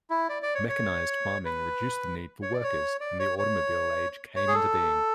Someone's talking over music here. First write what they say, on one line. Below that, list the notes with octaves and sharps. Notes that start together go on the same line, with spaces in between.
Mechanized farming reduced the need for workers, and the automobile age came into being.
E4
D5
D5
C#5
C#5
B4
C#5
D5
C#5
D5
C#5
C#5
C#5
G#4
A4